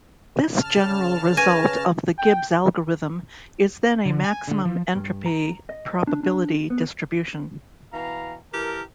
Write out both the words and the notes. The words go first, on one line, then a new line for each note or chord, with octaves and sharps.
This general result of the Gibbs algorithm is then a maximum entropy probability distribution.
C#3 A5 F6
B4 G#5 C#6 A#6
G5
D3
G#5
D3
F3
G2
A#5
D#5
D4
D4
B3
B2 E3 F5 A#5
E3 G4 A4 A#4